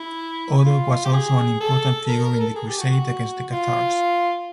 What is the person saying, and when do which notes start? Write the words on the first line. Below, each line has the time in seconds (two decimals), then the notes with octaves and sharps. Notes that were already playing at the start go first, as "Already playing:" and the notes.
Odo was also an important figure in the Crusade against the Cathars.
Already playing: E4
0.65 F4
1.05 G4
1.13 G#4
1.60 A4
2.08 A#4
2.24 A#4
2.40 A4
2.55 G#4
2.68 G4
2.80 F#4
2.91 F#4
3.51 F4